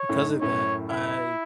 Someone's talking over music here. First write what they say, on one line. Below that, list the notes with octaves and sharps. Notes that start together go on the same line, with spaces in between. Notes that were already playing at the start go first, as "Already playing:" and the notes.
because of that, I
Already playing: C#5
F#2 A2
G#2
F#2 A2 C#5
E4